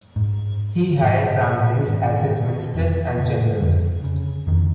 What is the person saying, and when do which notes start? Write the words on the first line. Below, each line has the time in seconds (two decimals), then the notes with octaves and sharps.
He hired Brahmins as his ministers and generals.
0.16 G#2
1.03 G#2
1.88 G#2 D#3
2.75 F2
3.18 C#3
3.61 F2 D3
4.04 C#3
4.47 F2 D#3